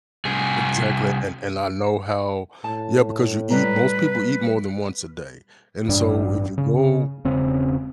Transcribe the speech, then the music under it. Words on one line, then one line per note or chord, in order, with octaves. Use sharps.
Exactly, and and I know how yeah, because you eat most people eat more than once a day, and so, if you go
C2 G#4
A2 A5
G3 B4 A#5
A1 G2 D4
C#3
E1 C#3 C4 C#4